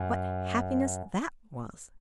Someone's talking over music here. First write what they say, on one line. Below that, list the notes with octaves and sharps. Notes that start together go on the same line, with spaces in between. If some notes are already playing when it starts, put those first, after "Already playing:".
What happiness that was!
Already playing: F#2